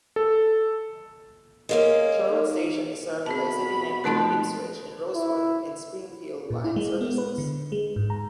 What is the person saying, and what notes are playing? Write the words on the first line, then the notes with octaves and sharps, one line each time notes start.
Sherwood station is served by City network Ipswich and Rosewood and Springfield line services.
A4
G#3 A#3 C#4 A#4
D#4
B2 C4 G#4 A5 B5
F3 G#3 A3 C4 D#4 B4
E4
A#2
E4
G#3
B3
B4
D3
G#3
G#2
A#5